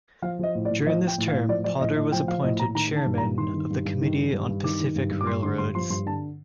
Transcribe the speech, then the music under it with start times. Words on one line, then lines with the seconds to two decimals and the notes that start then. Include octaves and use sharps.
During this term Potter was appointed Chairman of the Committee on Pacific Railroads.
0.22 F3 F5
0.39 F3 D#5
0.55 A2
0.65 D5
0.71 A2
0.86 F3 D#5
1.01 F3
1.08 G5
1.18 A2
1.28 F5
1.33 A2
1.49 F3 D5
1.64 F3 D5
1.80 A2 D#5
1.96 A2 D#5
2.12 F3 G5
2.28 F3 F5
2.43 A2 D#5
2.60 A2 A#5
2.75 D#3 A#5
2.91 D#3 A5
3.06 G2
3.18 A#5
3.23 G2
3.38 D#3 C6
3.54 D#3
3.70 G2
3.85 G2
4.01 D#3
4.17 D#3
4.33 G2
4.48 G2
4.64 D#3 D6
4.80 D#3
4.96 G2
5.11 G2
5.21 D6
5.27 G2 C6
5.43 D3 C6
5.58 G2 C6
5.75 F3 C6
5.90 G2 C6
6.06 D3 A5